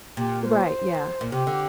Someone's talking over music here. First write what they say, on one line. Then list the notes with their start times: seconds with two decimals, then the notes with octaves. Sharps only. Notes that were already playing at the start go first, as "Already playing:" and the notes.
Right. Yeah.
0.17 A#2 G4
0.46 C5
1.21 A#2
1.32 C3 G4
1.47 D3